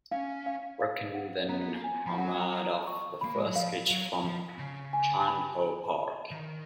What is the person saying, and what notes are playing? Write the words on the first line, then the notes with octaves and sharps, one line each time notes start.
Ripken then homered off the first pitch from Chan Ho Park.
C#4 F5
F5
F5
F#5
B3 A#5
B3
A#3
G#5
F3
F#3 F#5
A#5
A#5
C#6
A#3 B5
G#3
F#3
F3 F5
F#3
F3
C#3
G#5
B5
D#3